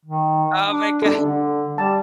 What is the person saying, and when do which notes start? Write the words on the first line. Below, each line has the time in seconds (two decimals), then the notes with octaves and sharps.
Oh my god,
0.05 D#3
0.67 D4
1.02 D4 A4
1.19 D3
1.78 G3 A5